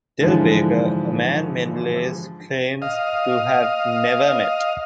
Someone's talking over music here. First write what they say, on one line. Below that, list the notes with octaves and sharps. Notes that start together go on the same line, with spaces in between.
Del' Baker, a man Melendez claims to have never met.
G#2 D3 E3 F3 G#3
D#5 F5